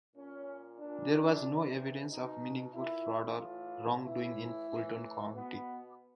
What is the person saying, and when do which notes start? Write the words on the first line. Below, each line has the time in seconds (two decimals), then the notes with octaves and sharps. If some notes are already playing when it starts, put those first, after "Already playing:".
There was no evidence of meaningful fraud or wrongdoing in Fulton County.
0.16 A#2 C#4
0.80 A#2 D4
1.46 C3 E3
2.10 B2 D#4
2.74 A#2 E4
3.39 A2 E3 F4
4.04 A2 E3 E4
4.69 A2 E3
5.33 B2 B3